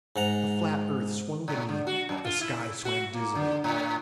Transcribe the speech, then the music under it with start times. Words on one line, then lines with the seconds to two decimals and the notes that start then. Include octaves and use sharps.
The flat earth swung beneath, the sky swam dizzily.
0.16 G#2 F#5 A#5
1.48 A2
1.69 D3
1.87 F#4
2.09 F#2
2.25 F4
2.41 E4
2.85 F#4
3.14 A#3
3.35 D3
3.64 A2